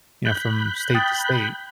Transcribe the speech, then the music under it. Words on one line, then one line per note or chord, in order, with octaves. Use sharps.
you know, from state to state.
B5 F#6 G6
G5 D#6 A6